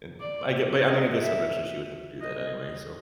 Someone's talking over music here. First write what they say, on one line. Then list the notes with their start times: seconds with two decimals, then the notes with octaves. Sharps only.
And I get but, I mean, I guess, eventually she would have to do that anyway. So
0.20 D5
0.87 D#5
1.21 E5
2.21 D#5